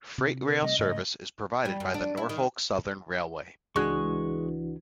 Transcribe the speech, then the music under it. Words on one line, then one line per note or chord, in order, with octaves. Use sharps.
Freight rail service is provided by the Norfolk Southern Railway.
C3
A#4
C3 G3 A3 D#5
G#2 C#3 A3 D#5
G3
F#2
D4
E4
D#3
C#2 E3 G#3 D4 F#4 C#6 F#6